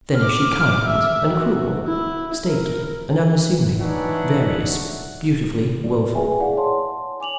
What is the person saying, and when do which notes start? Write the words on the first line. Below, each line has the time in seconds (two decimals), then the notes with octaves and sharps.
Then is she kind and cruel, stately and unassuming, various, beautifully wilful.
0.17 D6 F6
0.86 E5
1.28 F#4
1.86 E4
2.47 A#4
3.80 E3 D4 D#4 C#5 E5 F#5
5.84 D5
6.14 G#4 B4 E5 G5 G#5
6.40 E4 G#4 D5 F5 F#5
6.57 C#5 A5 C6
7.20 G#5 D6 F7 F#7